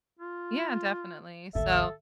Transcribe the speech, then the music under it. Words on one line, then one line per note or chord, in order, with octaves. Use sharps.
Yeah, definitely, so.
F4
A1 D#2 A4 E5